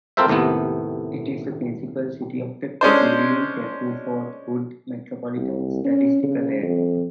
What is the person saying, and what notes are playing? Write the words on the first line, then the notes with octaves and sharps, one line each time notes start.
It is the principal city of the Killeen-Temple-Fort Hood Metropolitan Statistical Area.
C4 F4 A4 A#4 C5 E5
D#2 A2 C3 A3 B3
G#3 C#4 D4 C5
C2
C#4
C#3
F2